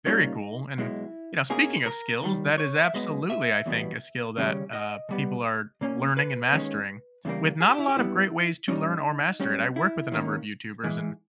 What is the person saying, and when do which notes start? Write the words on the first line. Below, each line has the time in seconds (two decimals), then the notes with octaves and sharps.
very cool, and, you know, speaking of skills, that is absolutely, I think, a skill that, uh, people are learning and mastering, with not a lot of great ways to learn or master it. I work with a number of YouTubers and
0.06 A#2 G3 A#3 C#4 D#4
0.78 B1 B2 G#3 E4
1.50 B2 A#3 C#4 G#4
1.86 A#4
2.22 D#2 D#3 G3
2.58 C#5
2.84 E5
2.94 B1 B2 G#3 B3 D#5
3.30 E5
3.66 E2 B2 G3 B3
4.37 D#2 C#3 G3 C#4
4.73 D#5
5.09 B2 G3 B3
5.81 A#2 A#3 C#4
6.17 B4
6.53 D#2 D#3 G#3 C#4
7.25 E2 C#3 G3 A#3
7.61 G#4
7.70 G4
7.78 E4
7.88 G4
7.96 G2 G3 B3 E4
8.68 A#2 G3 C#4 D#4
9.40 B1 B2 G3 C#4
9.76 E4
10.12 D#2 D#3 A#3 C#4
10.83 G#2 E3 G#3